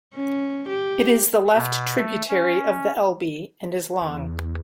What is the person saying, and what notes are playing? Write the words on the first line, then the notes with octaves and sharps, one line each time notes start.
It is a left tributary of the Elbe and is long.
C#4
G4
B2
A3
C#4
E2